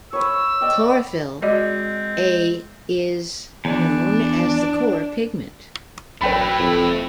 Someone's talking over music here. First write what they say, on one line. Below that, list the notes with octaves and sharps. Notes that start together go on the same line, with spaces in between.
Chlorophyll "a" is known as the core pigment.
B4 C#5 E6
D5 D#5 G5
G#3 C4 F#4 D5 D#5
E2 D4
A1 F#2 A3 E4 B4 G5 B5
F#1 F2